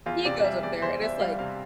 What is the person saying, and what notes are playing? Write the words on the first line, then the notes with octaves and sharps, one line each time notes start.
he goes up there, and it's, like,
E2 F4
C3 D5
G3 E5
E2 D5
E2 C5
E2 E5
G3 F5
C3 F5